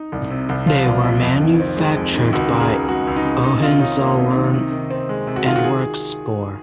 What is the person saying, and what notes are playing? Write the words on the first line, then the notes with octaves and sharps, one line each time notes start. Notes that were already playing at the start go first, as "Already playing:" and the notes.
They were manufactured by Hohenzollern and Werkspoor.
Already playing: D#4
C2
C3
C2
F3 F4
C2
C3
F2
D#3
C4
G#3
F2
D#3
C#2 F#4
C#3 A#4
G#4
C#2
G#3 F#4
C#2
D#4
C#3
C3 D#4
D#3 F4
C#4 D#4
A#3
C3
D#3
C3
D#3
C4
G#3
C3
F#4
D#3 F4
F#4
G#4